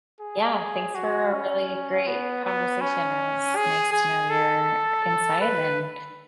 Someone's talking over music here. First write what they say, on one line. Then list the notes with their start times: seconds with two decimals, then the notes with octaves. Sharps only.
Yeah, thanks for a really great conversation, it was nice to know your insight, and
0.20 G#4
0.95 F#4
1.33 C#4
2.07 B3
2.44 B3
2.81 C#4
3.56 G#4
3.92 G#4
4.30 A4
5.41 B4